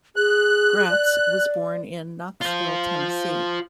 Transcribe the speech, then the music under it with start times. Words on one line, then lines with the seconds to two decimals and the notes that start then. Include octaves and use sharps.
Gratz was born in Knoxville, Tennessee.
0.16 G#4 F#6
0.90 D5
2.41 F4 C5